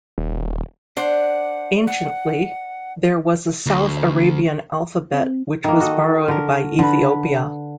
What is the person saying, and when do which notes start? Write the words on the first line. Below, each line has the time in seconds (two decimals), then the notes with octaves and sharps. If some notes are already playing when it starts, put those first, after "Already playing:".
Anciently, there was a South Arabian alphabet, which was borrowed by Ethiopia.
0.18 D#1
0.97 D4 C5 F#5
1.87 F#5
3.66 D2
5.13 C4
5.64 D#3 A#3
5.80 F#4 A4 D#5
6.28 D3 A#4
6.79 D3 B4